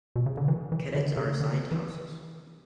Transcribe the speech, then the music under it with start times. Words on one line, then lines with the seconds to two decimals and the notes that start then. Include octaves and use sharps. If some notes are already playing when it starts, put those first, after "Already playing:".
Cadets are assigned to houses.
0.16 B2
0.26 C#3
0.37 D3
0.48 E3
0.72 E3
0.95 D3
1.17 C#3
1.40 D3
1.71 E3